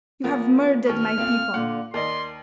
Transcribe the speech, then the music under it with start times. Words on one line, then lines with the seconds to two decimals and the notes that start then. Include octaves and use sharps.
You have murdered my people!
0.24 E2 B3 F4 A#4
0.87 D#2 B2 C#6 F6
1.18 A#2 A3 C4 E5 F5
1.54 A#2 D3 F#5
1.94 D#2 A#4 D5 D#5 C6